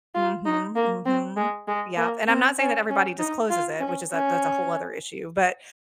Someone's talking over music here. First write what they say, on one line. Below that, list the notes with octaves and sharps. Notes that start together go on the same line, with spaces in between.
Mhm, mhm. Yep, and I'm not saying that everybody discloses it, which is that that's a whole other issue. But,
F4
D#4
A#3
C4
G#3
G#3
A#3
C4
C#4
C#4
D#4
F4
C#4
C#4